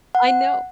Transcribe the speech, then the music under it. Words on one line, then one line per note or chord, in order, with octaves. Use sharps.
I know
F#5